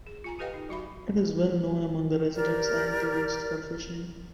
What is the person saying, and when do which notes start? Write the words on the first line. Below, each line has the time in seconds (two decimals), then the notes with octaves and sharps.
It is well known among residents and tourists for fishing.
0.07 G#4
0.24 F4 G#5 A#5
0.39 G4 A4 B4 D#5 F5 G5
0.54 D#4
0.69 F#3 F#4 E5 B5
2.35 G4 A#4 D5